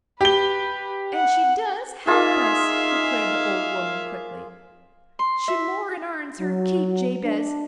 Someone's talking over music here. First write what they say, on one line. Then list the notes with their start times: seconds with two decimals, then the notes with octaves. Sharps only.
And she does help us," declared the old woman, quickly. "She more'n airns her keep, Jabez.
0.21 G4 B4 G7
1.14 F#5
2.07 A#3 D#4 F4 G#4 E5 F5
5.19 C6
5.48 E5
6.39 F#3
7.23 D4